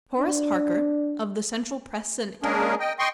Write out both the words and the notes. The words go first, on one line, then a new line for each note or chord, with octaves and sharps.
Horace Harker, of the Central Press Syndicate.
D4
G#3 A#3 C#4 D4 G#4 A#4
D#5 G5
D#5 G5 C6 C#6